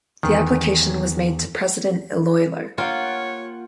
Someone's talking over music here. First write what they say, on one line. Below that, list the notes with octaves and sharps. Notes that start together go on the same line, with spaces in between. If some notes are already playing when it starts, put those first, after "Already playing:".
The application was made to President Iloilo.
E2 D#3
A#3 F4 C#5 F#5 G5